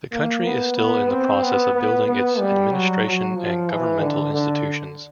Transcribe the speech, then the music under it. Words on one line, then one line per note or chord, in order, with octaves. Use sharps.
The country is still in the process of building its administration and governmental institutions.
A#3
B3
B3
C4
B3
B3
B3
G3
F#3
F#3
F3
E3
D3
D3